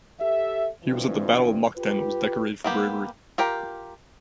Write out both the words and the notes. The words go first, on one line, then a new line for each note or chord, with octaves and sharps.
He was at the Battle of Mukden and was decorated for bravery.
G4 A4 E5
G1 G2 E3 F3 C4
F4 G4 B4
A#3 B3 G4
F4 G4 A#4 G5